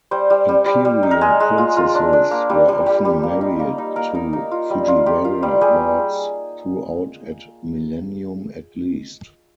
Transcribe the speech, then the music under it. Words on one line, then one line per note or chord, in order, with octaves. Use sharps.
Imperial princesses were often married to Fujiwara lords - throughout a millennium at least.
G3 C5
G3
G3
G3
G3
D#4
A#4
G#3 G#4
G#3
F4
F4
D4
D4
A#3
G3
G3
G3 G4
G3
A#3
D#4
A#3
D#4
A#3 A#4
D#4
D#4
F4
G3
F4
F4 G4
F4
G3
G3 G#4